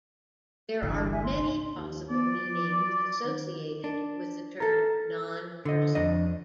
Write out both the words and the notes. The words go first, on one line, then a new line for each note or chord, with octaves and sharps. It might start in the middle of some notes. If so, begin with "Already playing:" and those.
There are many possible meanings associated with the term "nonperson".
G1 C2 E3 D4
E5 G#5
C6
D#2
B3 D5
F3
F#3
D#3
D4
A4 A#4
D3 D#5
F2 D4 D#5